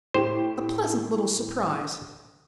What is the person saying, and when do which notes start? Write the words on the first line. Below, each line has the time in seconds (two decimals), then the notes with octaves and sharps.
A pleasant little surprise.
0.14 A2 G4 C5 E7